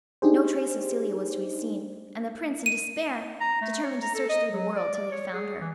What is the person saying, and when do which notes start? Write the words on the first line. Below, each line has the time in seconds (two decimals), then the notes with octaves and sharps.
No trace of Celia was to be seen, and the Prince, in despair, determined to search through the world till he found her.
0.22 D4 D#4 G4 G#4 C5
2.66 D#7
3.41 A#5
3.62 A3
3.83 C#5
4.02 A#5
4.15 A4
4.29 D#5
4.51 F#3
4.76 D5
4.94 D5
5.11 C#5
5.33 G#4
5.61 E3